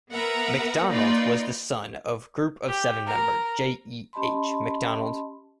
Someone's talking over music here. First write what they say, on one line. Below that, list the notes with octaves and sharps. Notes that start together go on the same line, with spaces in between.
MacDonald was the son of Group of Seven member J. E. H. MacDonald.
B3 A#4 B4 E5 F#5 A#5
A#3 D#4 F4 B4 D5
G4
A#4
C#4 G4 D#5 A5 B5 C6